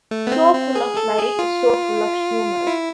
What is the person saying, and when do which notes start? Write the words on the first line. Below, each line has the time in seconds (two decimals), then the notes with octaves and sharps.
So full of light, so full of humor.
0.11 A3
0.27 B3
0.32 C4
0.54 C4
0.75 G#4
0.97 A4
1.18 G#4
1.39 F4
2.67 E4